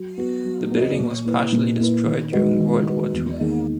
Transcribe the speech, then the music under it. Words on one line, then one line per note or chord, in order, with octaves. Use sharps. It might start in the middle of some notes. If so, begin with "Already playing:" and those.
The building was partially destroyed during World War ll.
Already playing: F#3
B3 F#4
F#3
B3 F#4
A#2
A#3 E4 B4
A#2
A#3 E4 B4
D#3
G#3 D#4 F#4 B4
D#3
G#3 D#4 F#4 B4
E2
D#3 A#3 D#4 G#4